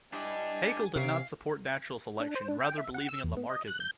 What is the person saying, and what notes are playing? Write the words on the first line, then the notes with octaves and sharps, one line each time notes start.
Haeckel did not support natural selection, rather believing in Lamarckism.
D4 E4 G4 D#5 G#5
C3 C#4 A#4 C#5 F5 C7
D4
C5
D4
G5
E5
F#5
E6
E2
B3
D#5
F#6
G6